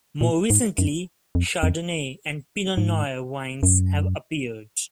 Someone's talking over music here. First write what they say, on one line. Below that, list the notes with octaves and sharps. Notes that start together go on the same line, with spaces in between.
More recently, Chardonnay and Pinot noir wines have appeared.
A#2
G#2
F#2
F2
F2
G#2
F#2